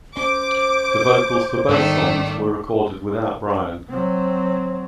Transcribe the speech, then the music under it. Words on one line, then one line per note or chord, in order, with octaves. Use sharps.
The vocals for both songs were recorded without Brian.
C#4 C5 D6
G#2 D#3 G3 A3 B3 D4
F#3 C4